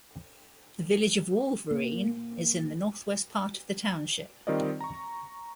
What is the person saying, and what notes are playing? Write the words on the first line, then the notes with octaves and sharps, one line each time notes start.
The village of Wolverine is in the northwest part of the township.
A#3
D#3 G3 C4 F4 D5 D#5
A#5 C#6